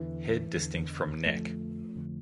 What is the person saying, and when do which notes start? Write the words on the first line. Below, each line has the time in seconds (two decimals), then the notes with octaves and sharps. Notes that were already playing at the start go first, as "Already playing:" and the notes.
Head distinct from neck.
Already playing: E2 D3 E3
0.56 E2 D3
1.26 F2 D3 F3 A3
1.96 F2 D3